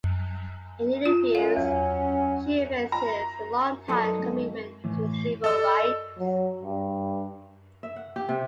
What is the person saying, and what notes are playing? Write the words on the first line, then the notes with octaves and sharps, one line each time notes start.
In interviews she evinces a longtime commitment to civil rights.
F4
F#2 G#3 C#4 F5
E2 F#3 C#4
A#5
F#3 D#4 A4 B4 D5 C6
G#3 C4
A2 E3
A4 D5 D#5 E6
F#3
G2
E5
F#5
G4
C3